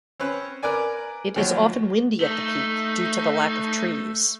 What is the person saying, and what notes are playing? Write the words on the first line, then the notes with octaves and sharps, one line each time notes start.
It is often windy at the peak, due to the lack of trees.
C4 C#4 B4
A#4 B4 D5 G#5
D#2 F3 F#3 C#5
A3 D#4